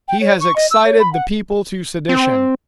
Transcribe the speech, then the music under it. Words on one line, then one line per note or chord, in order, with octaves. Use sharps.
He has excited the people to sedition.
G5
C#5
C#6
D#5
E6
C#5
B5
F#5
C4